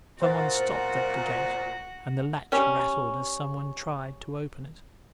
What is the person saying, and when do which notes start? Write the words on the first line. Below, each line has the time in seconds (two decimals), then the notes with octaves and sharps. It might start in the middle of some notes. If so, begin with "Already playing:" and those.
Someone stopped at the gate, and the latch rattled as someone tried to open it.
0.22 A#2 F#4 C5 F#5 A6
2.52 G3 C#4